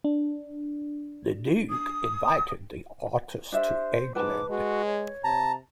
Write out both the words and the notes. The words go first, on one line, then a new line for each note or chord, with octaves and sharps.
The Duke invited the artist to England.
D4
D#6
D4 G4 C5 E5
G#2 B4 G5 A5 D6
G#3 F#4
C#5
C3 A5 A#5